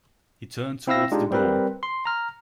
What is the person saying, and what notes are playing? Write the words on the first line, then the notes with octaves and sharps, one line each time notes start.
He turned towards the door.
C4 E4 F5 E6 A#6
G#3 D4 D#4 F4 G4
G3 C4 A#4 B4
C6
A#5 F6